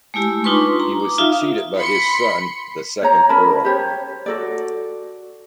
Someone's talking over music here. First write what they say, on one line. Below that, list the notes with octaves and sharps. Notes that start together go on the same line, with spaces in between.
He was succeeded by his son, the second Earl.
G#3 A3 E4 G4
D4 D#4 F4 B4 C6 C#6
A#5
D6
D#4 F4 E5 F5
B5 C6 C#7
C5 C#5 A#5
C#4 A#4 A5 B5
G4 C5 C#5
F#4 A4 D5